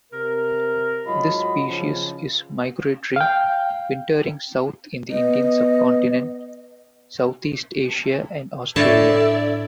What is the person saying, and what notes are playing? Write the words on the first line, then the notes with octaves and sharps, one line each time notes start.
This species is migratory, wintering south in the Indian Subcontinent, Southeast Asia and Australia.
C3 A#4
G#2 F#3 F4 D#5 B5
C#3 F3
F5 G5
B3 D#5
A2 D4 A4 C#5 D5 E5 A5